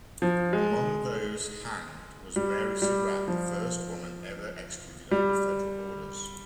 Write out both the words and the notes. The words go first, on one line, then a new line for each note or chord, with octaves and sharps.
Among those hanged was Mary Surratt, the first woman ever executed under federal orders.
F3
G#3
G3
G3
F3
G3